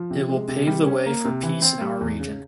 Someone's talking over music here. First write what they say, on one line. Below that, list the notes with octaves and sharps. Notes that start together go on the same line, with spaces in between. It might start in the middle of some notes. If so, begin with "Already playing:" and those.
It will pave the way for peace in our region.
Already playing: F3
C3
G#3
C3
G3
C#4
A#3
C3
E3
C4
G3
E2
C#3